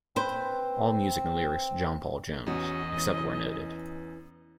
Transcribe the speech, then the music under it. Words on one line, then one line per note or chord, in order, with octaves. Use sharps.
All music and lyrics John Paul Jones, except where noted.
C4 B4 C5
E2 C#4 F#4 D#5
E3 C#4